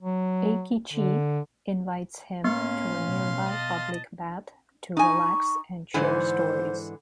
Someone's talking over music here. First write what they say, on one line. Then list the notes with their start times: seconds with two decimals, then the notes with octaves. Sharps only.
Eikichi invites him to a nearby public bath to relax and share stories.
0.02 F#3
0.93 D3
2.44 A2 A#3 B3 C#4 F5 C6
3.02 B2
3.48 D#5 A5
4.97 D#4 G#5 C#6
5.94 G#2 D3 E3 C5